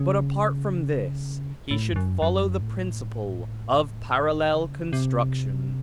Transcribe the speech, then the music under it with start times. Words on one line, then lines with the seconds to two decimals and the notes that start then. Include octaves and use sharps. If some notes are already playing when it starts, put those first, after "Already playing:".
But apart from this, he should follow the principle of parallel construction.
Already playing: C#3
1.71 A2
1.92 F2
1.96 F#2
2.22 F#2
2.61 A2
4.54 C#3
4.93 C3